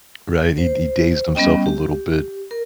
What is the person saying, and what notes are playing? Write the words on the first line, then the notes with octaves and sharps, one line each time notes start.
Right? He d he dazed himself a little bit.
C5
G3 B3 C#4 D#5 G5
G4
A#4